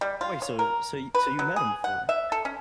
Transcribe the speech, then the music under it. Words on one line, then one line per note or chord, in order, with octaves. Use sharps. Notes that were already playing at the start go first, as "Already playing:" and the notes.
Oh, wait, so so y so you met him before?
G3
F4
C#5
A#4
B4
F#3
G#4
F#5
E5
A4
C#4